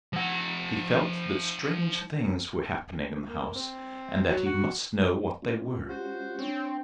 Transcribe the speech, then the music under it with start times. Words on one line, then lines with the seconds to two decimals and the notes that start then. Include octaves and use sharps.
He felt that strange things were happening in the house and that he must know what they were.
0.13 F3 F#5
3.29 A#3
3.55 C4
4.29 F#3
4.46 F#4
5.42 G#3 C#4 F4
5.89 F#4 G4 C5
6.39 C4 D4 C#5